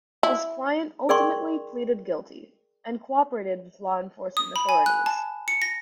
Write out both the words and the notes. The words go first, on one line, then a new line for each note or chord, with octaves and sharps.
His client ultimately pleaded guilty and cooperated with law enforcement authorities.
E4
G#4 A#4 D5 G5 C6 C#6
D#6
B5
G#5
F#6
A5
C#7
A#6